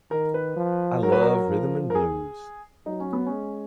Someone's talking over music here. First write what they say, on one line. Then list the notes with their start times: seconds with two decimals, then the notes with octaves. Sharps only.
I love rhythm and blues!
0.11 D#3 A#4
0.34 B4
0.57 F3
1.03 F#3 A#4
1.12 B4
1.21 A#4
1.49 F3
1.90 A#4
1.95 G#4
2.86 F#3 D#4
3.00 C#4
3.13 B3
3.26 C#4
3.32 G#3